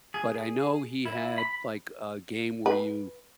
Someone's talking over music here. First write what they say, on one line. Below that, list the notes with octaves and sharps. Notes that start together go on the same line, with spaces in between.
but I know he had, like, a game where you
G#4
G#4
E4
B5
B4